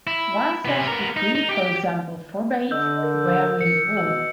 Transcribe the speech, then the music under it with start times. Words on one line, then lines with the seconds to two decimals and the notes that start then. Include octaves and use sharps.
One such decree, for example, forbade wearing wool.
0.07 E4
0.65 C3 B3
0.87 B3 A#4
1.16 D#4
1.35 D#4
1.49 G4 G5
2.71 D3 D#5 E6 G6
3.02 A#4
3.61 C#7
3.97 B2 D#5 E6